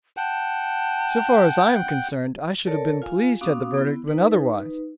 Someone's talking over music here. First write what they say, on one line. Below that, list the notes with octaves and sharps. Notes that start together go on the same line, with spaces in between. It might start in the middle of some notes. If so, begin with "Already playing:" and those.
So far as I am concerned I should have been pleased had the verdict been otherwise.
F#5 G5 A5
A4 A#4 C#5 D5 A5
F4 F5 G#5
B3 C#4 F#4 F5 D6 D#6
B3 E4
D#4 B4